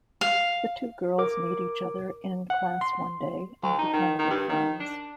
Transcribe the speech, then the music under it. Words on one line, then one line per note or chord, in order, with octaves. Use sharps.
The two girls meet each other in class one day and become good friends.
F5
A#4 D6
F#5
C6
D2
D#4
D#3
D#3
G2
D#3
D4